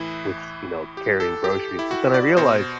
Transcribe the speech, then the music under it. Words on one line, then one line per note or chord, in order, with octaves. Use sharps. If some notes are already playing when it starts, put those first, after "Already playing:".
with s you know, carrying groceries, but then I realized
Already playing: A2 E3 E4
G4
A4
G4
E4
F#4
D5
B2 C5